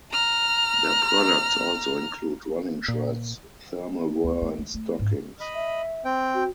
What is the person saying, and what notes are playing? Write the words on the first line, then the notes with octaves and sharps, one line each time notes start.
Their products also include running shirts, thermal wear, and stockings.
A#5 F6
A#2
D2
A3
G#3
A3
G#2
D#5 B5
E5
C4 G5
F#4